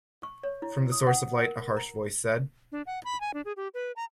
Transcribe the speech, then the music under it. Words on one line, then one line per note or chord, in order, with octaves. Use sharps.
From the source of light a harsh voice said.
C#6
C#5
E4
D#6
F#5
A#4
A#5
D4
F#5
B5
G#5
D4
G#4
G4
B4
A#5